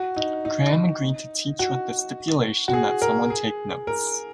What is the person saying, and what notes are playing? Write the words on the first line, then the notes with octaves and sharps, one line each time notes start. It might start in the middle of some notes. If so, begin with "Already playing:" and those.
Graham agreed to teach with the stipulation that someone take notes.
Already playing: F#4
D#4
D#4
F#4
F#4
G#4
A#4
G#4
A#4